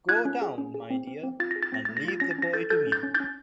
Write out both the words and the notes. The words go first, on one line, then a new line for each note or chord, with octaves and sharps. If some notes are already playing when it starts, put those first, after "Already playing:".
Go down, my dear, and leave the boy to me.
F4 F#6 G#6
C#4
G#4
C#4
G#4
C4
C4
C4
F4 A6
G#4 A#6
A6
C4 A#6
A3 A6
A#6
F4 A6
C#4 A#6
A6
C#4 A#6
A4 G6 A6
A4 G6 A6
C#4
G6 A6
C#4
G6 A6
C#4